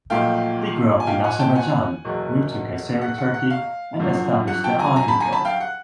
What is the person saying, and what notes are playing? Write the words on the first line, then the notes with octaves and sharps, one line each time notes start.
He grew up in Azerbaijan, moved to Kayseri, Turkey and established the "Ahi" guild.
B1 A#2 F3 A3 F5 G5
G#5
F5 G5
F#5 G#5
G5 A5
F#5 G#5
F#1 E2 B2 F#3
F#5
F#5
F#5
F5
G1 F#2 D3 F3
F#5
G5 A5
G#5 A#5
G#5 A#5
A5 B5
G#5 A#5
A5 B5
F5 G5
F#5